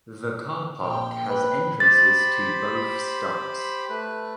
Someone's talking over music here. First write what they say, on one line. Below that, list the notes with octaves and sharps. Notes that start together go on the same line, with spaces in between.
The car park has entrances to both stops.
A#1 G5
B4
G4 C5 B5 A6
A3 B4